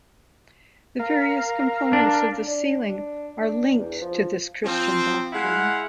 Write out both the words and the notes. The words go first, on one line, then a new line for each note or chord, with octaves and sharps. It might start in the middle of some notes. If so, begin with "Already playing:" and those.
The various components of the ceiling are linked to this Christian doctrine.
A#4 F5
D4
D4
D4
D4
E2
F3
F3 C4
G#3 E4 F5 F#5